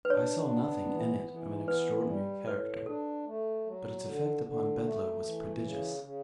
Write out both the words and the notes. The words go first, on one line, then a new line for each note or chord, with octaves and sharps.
I saw nothing in it of an extraordinary character, but its effect upon Bedloe was prodigious.
B4
D4 C#5
B3
E3
E3
B3 B4
G3
A2 B4
D4 A4
A3
F#3
D3
D3
A3
E3
C#3
C#3